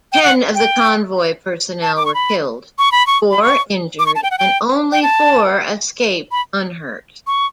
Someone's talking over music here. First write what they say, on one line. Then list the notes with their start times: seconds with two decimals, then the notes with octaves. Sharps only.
Ten of the convoy personnel were killed, four injured and only four escaped unhurt.
0.12 G5
0.23 F#5
0.55 G5
1.82 A5
1.97 D6
2.06 C#6
2.14 B5
2.79 C#6
2.92 B5
3.07 C#6
3.31 B5
3.42 C#6
3.99 D6
4.06 C#6
4.15 A5
4.23 G5
4.31 F#5
4.38 G5
4.92 G5
5.03 A5
6.31 B5
7.27 C#6